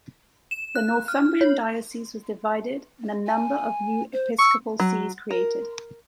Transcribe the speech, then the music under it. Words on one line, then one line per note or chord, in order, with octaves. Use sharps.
The Northumbrian diocese was divided and a number of new episcopal sees created.
E7
F#6
F6
C#5
G#5
C5
C#6 E6
F#3
A#4